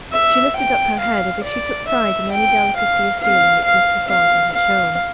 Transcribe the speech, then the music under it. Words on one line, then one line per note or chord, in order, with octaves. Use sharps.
She lifted up her head, as if she took pride in any delicacy of feeling which Mr. Thornton had shown.
E5
G5
F5
D5
E5
G5
F5
F5
F5
F5
F5